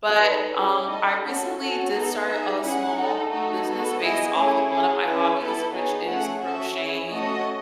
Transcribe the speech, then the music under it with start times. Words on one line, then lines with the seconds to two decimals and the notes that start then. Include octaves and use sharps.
but, um, I recently did start a small business based off of one of my hobbies, which is crocheting,
0.19 D#4 A4 B4
0.54 C#4 E4 G#4 C#5
0.88 D#4 A4 D#5
1.23 C#4 F#4 A4
1.57 C#4 F#4 A4
1.92 B3 D#4 A4
2.26 D#4 G#4 E5
2.60 C#4 E4 G#4 F#5
2.96 D#4 A4
3.30 A3 D#4 F#4 A4
3.65 B3 F#4 A4
3.99 B3 E4 G#4 D#5
4.34 A3 C#4 E4 G#4 C#5
4.69 C#4 G#4 C#5
5.03 C#4 E4 G#4 B4
5.38 B3 E4 A4
5.72 B3 D#4 G#4 C#5
6.07 A3 C#4 G#4 F#5
6.42 C#4 F#4 A4 E5
6.76 C#4 E4 G#4
7.11 A3 C#4 F#4 A4 D#5